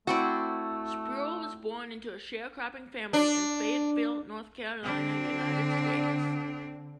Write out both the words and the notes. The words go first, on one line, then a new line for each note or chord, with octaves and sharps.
Spruill was born into a sharecropping family in Fayetteville, North Carolina, United States.
A3 C4 E4 F#4 D5
D4
D3 C4 D4